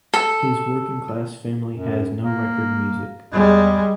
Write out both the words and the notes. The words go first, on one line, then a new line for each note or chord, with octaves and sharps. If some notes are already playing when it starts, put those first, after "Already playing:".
His working-class family has no record music.
A4
F#2
A#3
E2 G3 G#3